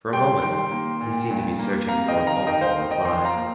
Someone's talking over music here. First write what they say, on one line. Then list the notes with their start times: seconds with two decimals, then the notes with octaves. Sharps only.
For a moment he seemed to be searching for a formidable reply.
0.13 G3 G5 C6
0.42 D#3 G5 C6
0.71 A#3
1.01 A#2
1.31 G2
1.59 A#3
1.88 C3 F5 A#5
2.08 D#5 G5
2.18 D#3
2.27 F5 A#5
2.46 D#3 D#5 G5
2.61 C5 F5
2.76 D#2
2.91 D#5 G5
3.05 F3 G5 C6
3.25 F5 A#5
3.35 A#3